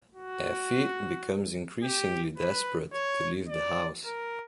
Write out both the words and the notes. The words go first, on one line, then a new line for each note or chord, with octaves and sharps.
Effie becomes increasingly desperate to leave the house.
F#4
G4
B4
C#5
D5
A#4